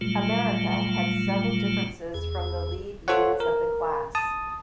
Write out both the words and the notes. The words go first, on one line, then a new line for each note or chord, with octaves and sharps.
"America" had several differences from the lead units of the class.
A#2 F#3 G3 A3 F4
E2 G#4
F4 A4 C5 C#5 F#5
A#4
A5 D#6